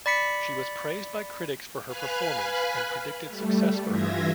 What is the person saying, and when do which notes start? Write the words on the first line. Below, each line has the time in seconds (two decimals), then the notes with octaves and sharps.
She was praised by critics for her performance and predicted success for her.
0.06 D5 B5 B6 C#7
1.86 B4 F5 G#5 B5 F6 F#6
3.28 G3 A3
3.87 G2 E3 F4 E5 G#6 A#6